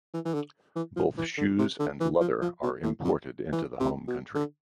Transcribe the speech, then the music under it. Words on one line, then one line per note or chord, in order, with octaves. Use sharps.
Both shoes and leather are imported into the home country.
E3
E3
D3
E3
F3
E3
D3
C3
D3
E3
F3
F3
B2
A2
F2
E3
C3
B2
D3